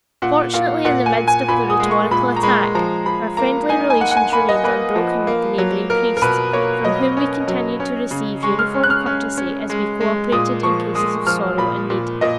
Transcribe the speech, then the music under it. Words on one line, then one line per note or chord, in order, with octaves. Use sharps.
Fortunately in the midst of the rhetorical attack, our friendly relations remained unbroken with the neighboring priests from whom we continued to receive uniform courtesy as we cooperated in cases of sorrow and need.
A#2 F#5
A#2 F5
A#2 F#5
G#5
A#2
G#5
A#2 B5
D#6
G#3
C#6
A#2 B5
A#5
G#3 B5
F3 A#5
F3 B5
A#3 A#5
D#4 G#5
G#5
A#3 F#5
F#5
G#5
A#3 B5
D#5
A#3 B4
F3
A#3
F#3
A#3 A#4
A#4
B2 B4
A#3 C#5
F#3 D#5
C#4
F#3
C#4
C#3
G#3 C#6
F6
C#4
F#6
F6
C#4
C#4
G#3
G#3
A#2 D#6
F3 C#6
G#3 D#6
F3 F6
A#2 B5
A#2
A#2 D#5